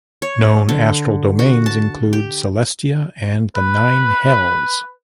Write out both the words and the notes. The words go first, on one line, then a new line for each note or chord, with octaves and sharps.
Known Astral Domains include Celestia and the Nine Hells.
C#5
D3
F#4
A5
G4
B4